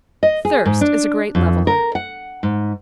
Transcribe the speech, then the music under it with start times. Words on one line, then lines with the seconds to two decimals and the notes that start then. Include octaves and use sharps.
Thirst is a great leveller.
0.23 D#5
0.45 G#4
0.65 G#2
0.81 D4
1.35 F2
1.67 A#4
1.95 F#5
2.43 G#2